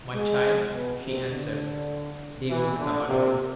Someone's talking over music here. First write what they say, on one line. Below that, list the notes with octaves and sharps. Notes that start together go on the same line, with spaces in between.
"My child," she answered, "they won't come at all."
G#3
B2
C3
D3
E3
D3
C3